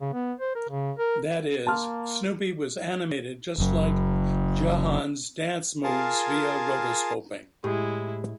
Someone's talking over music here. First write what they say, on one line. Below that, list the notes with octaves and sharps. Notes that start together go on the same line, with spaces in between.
That is, Snoopy was animated just like Jahan's dance moves via rotoscoping.
C#3
B3
C5
A#4
C#3
A#4
A#3 A5 C6 F6
F#1 F#2
F4 G#4 A#4 F5 G#5 A5
A2 G#3 E4 G4